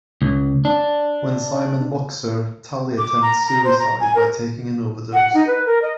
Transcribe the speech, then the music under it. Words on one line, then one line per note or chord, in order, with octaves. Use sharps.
When Simon mocks her, Tally attempts suicide by taking an overdose.
C#2
D4
D6
A#5
A#5
C5
A#5
G#5
A#4
F#5
D#4
B4
A#4
D#5